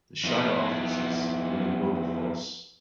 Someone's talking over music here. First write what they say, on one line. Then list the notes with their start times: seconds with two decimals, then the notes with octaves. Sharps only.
The shire offices were in Wilberforce.
0.24 F2 B3